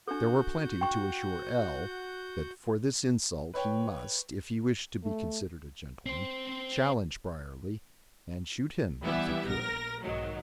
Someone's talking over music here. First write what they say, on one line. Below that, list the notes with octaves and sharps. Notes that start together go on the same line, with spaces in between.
There were plenty to assure L--that for this insult he must, if he wished to be considered a gentleman, challenge Briarly, and shoot him--if he could.
D4 F#4 A4 F#5 G6
G5 C#6
B4 C#5 G5
A3
C4 C5
E3 G3 B3 E4 E5
A#1 A#4 A#6
B1 G#2 D#3 F#3